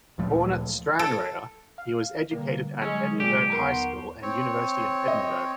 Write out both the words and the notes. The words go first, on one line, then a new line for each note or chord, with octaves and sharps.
Born at Stranraer, he was educated at Edinburgh High School and University of Edinburgh.
D2 A#2 F3 A3
A4
F5 F6
B2 D3 G3 A#3
F#3 G#3 C#4 G#4 D#5 E6
A#2 G4
D#2 B3 A#4 C6 C#6
C4 C#5
D#5